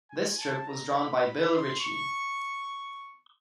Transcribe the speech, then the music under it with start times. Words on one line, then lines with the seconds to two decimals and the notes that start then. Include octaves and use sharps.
This strip was drawn by Bill Ritchie.
0.10 G#5
0.39 A5
0.68 A#5
0.97 B5
1.53 C6
1.80 C#6